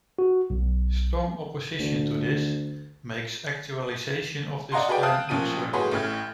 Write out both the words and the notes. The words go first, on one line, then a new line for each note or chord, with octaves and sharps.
Strong opposition to this makes actualization of this plan uncertain.
F#4
B1
D2
D5 D#5 F#5 A#5 C6
F#4 G#4 B4 D5 G5
F5 G5 A5 D#6 F6 F#6
A1 A#2 F3 C#4 A5 D#7
A2 F#4 G#4 B4 C#5 C6
A1 A2 F6 G#6